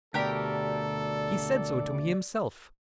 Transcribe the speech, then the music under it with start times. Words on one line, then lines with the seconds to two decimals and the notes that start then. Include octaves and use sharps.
He said so to me himself.
0.14 D2 B2 G4 A4 A#4 D5 G5